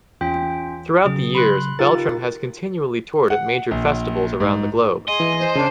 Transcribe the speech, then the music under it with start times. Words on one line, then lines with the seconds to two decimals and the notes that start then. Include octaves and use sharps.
Throughout the years, Beltram has continually toured at major festivals around the globe.
0.21 E2 C#4 F4 G5
1.05 C#3 F#3 G#4
1.35 B5 C6 F#6
1.79 D#4 F4 G4 A#4 A6
3.30 F#5
3.71 A#1
4.40 G#2
5.08 G#4 D#5 G#5 C6
5.20 E3
5.39 C5
5.56 C#3 D4 A#4 A5